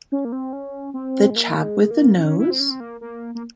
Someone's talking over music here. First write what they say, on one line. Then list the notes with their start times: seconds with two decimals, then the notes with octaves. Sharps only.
The chap with the nose?
0.12 C#4
0.25 A#3
0.32 C4
0.53 C#4
0.94 C4
1.30 G#3
1.36 A#3
1.63 G#3
1.91 A#3
2.18 C#4
2.39 E4
2.50 C4
2.60 C#4
2.71 C4
2.80 A#3
3.01 A#3
3.35 A#3